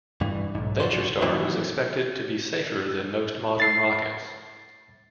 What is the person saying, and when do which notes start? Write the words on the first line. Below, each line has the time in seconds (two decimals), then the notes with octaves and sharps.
VentureStar was expected to be safer than most modern rockets.
0.21 G2 E3
0.55 B1 G#2
0.80 F#2 C#3 F#4 D5 C6
1.22 A#2 D#3 E3 F#3 C4 E4
3.60 A6 C7